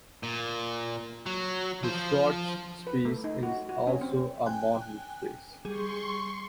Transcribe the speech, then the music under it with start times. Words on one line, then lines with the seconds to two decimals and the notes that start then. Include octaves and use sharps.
The Schwartz space is also a Montel space.
0.23 A#2
1.26 F#3
1.83 F3 C5
2.87 B4
3.05 A3
3.24 D#4
3.43 F#4
3.69 F#4
3.87 C#4
4.01 C4
4.46 G5 G#5 F#6
5.65 G3 G#4 C6 C#6